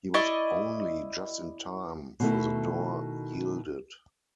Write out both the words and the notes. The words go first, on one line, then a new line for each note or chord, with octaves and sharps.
He was only just in time, for the door yielded.
E4 D5 D#5 C#6
B2 D#3 A3 E4